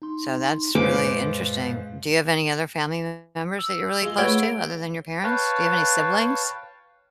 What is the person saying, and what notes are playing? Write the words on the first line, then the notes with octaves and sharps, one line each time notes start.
So, that's really interesting. Do you have any other family members that you're really close to, other than your parents? Do you have any siblings?
D#4 C6
F#2 A#2 G#3 B4 C5 F5 D6
E6
G#3 F4
A3 B4 C#5 F#5 G#6 D7 G7
B4 C#5 F5 G5 A5